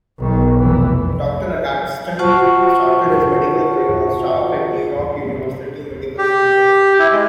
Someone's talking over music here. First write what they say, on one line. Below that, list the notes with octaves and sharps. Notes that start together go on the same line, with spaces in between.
Doctor Agatston started his medical career on staff at New York University Medical Center.
B1 D#3
F1 E3
F4 F#4 C5 F#5 A5 C#6
G4
E4
G#3